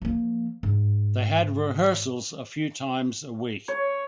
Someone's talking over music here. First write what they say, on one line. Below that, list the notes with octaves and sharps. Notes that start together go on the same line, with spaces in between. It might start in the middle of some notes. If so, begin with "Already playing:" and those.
They had rehearsals a few times a week.
F3 A#3
G#2
C#5